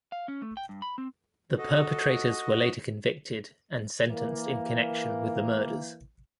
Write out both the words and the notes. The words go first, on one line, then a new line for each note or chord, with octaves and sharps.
The perpetrators were later convicted and sentenced in connection with the murders.
F5
C#4
A3
G5
G2
B5
C4
F#4 A4 D#5
E3 A#3